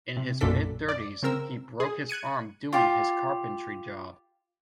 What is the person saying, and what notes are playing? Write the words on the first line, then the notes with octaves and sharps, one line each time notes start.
In his mid-thirties, he broke his arm doing his carpentry job.
C3
B1 F#2 A#2 D4 A4 B6
D5
C#3 C4 A#4 E6
G#4
F#6 G#6 C#7 D#7
F4 G4